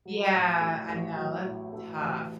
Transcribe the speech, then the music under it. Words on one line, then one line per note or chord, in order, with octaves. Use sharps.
Yeah, I know, that's tough.
F#3
A2
A3
A1
F#3
A2
A3
A1